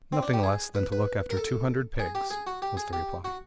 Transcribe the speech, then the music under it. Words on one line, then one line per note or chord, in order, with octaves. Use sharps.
'Nothing less than to look after two hundred pigs,' was the reply.
C4
D4
G4
G#4
B4
B4
A#4
A4
G#4
G4
G#4
F#4
G4
G#4
G4
F#4